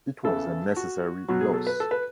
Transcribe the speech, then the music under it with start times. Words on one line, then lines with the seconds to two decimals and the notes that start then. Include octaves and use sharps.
It was a necessary loss.
0.24 C#3 E3 A4
0.76 F#4
1.28 B2 F#3 F#4
1.41 G#4
1.54 A4
1.67 B4
1.80 A4
1.91 B4